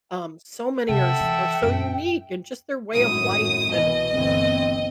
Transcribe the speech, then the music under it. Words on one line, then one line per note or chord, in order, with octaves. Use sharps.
um, so many are s are so unique and just their way of life and,
C3 A4 E5 F#5 G5
E3
F#2 A#2
G#1 F#2 A2 D#6
C2 B2 E3 D#5
G1 D2 E3 C4